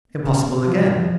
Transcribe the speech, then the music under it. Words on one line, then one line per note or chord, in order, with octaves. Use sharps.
Impossible again!
C#3
F3